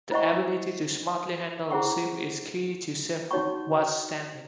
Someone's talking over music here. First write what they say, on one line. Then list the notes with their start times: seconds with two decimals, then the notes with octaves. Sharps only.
The ability to smartly handle a ship is key to safe watchstanding.
0.11 E4 C5 D#5 F#5 C#6
1.70 E4 G#4 C5 F#5 C#6
3.31 D#4 F#4 C#5 F#5 C#6